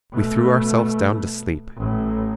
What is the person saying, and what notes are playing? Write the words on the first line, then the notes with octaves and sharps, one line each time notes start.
We threw ourselves down to sleep.
B2 A3
A1 A2